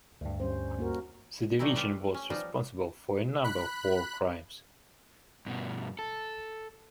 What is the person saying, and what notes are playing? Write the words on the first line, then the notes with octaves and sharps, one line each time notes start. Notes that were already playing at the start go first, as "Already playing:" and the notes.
The division was responsible for a number of war crimes.
D2 G2
G3 C#4 C5
A#3 F#4 A#4
E3 F#3 G3 A3 D#4 E4
F4 G4 A4 B4 E5
C#4
F3 G3 B3 D#4 F4
B5 F#6
G2 B2
A4